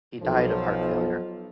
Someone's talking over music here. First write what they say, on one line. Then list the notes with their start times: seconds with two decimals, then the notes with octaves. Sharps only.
He died of heart failure.
0.22 B1 F3